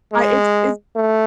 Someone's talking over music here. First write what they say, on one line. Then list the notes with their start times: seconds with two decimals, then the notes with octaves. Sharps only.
I it's it's
0.13 G#3
0.96 A3